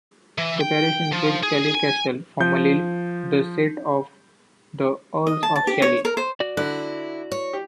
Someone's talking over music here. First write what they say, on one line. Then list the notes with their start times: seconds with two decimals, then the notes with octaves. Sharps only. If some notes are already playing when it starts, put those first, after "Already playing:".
The parish includes Kellie Castle, formerly the seat of the Earls of Kellie.
0.38 E3
0.61 G5
1.13 F3
1.43 G#4
1.75 G#5
2.40 F3 G6
5.27 D#5
5.43 A5
5.56 A5
5.67 G4
5.82 C#5
6.05 A#4
6.17 C5
6.40 F#4 D5
6.57 D3 E4 F#6
7.32 C#5
7.53 G4